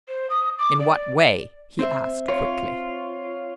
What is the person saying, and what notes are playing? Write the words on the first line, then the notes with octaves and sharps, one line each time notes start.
"In what way?" he asked quickly.
C5
D#6
D6
D5
C4 C5 E5
F4 C#5